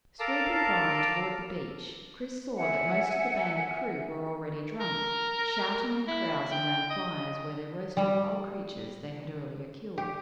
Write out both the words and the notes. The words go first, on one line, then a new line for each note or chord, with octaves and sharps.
Sweeping by toward the beach Chris saw that most of the bandit crew were already drunk, shouting and carousing around fires where they roasted wild creatures they had earlier killed.
A4 A#4 F5 A5 D6
E5 F#5 G#5
A#4
E4
G5
D#5
G3
G4